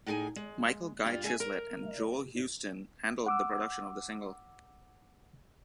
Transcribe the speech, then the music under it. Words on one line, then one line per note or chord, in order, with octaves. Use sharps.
Michael Guy Chislett and Joel Houston handled the production of the single.
A2 D#4 G#4 G5 G#5
G#3
G2 F4
G#4 E5 F#5 G#5
A#4
F#5 D6 E6